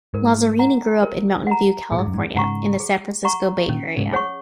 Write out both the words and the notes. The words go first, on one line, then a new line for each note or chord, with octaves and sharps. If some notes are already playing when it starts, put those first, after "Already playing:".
Lazzarini grew up in Mountain View, California in the San Francisco Bay Area.
G#2 A#4
F#5 A#5
A#4
F#5 A#5
A#2 G#4
G#2
F#2
G#2
G#2 C#3 F#5 A#5 C#6
G#4
F#5 A#5 C#6
A#2 D#3 C#4
G#2 C#3
G#4 C#5 F#5 C#6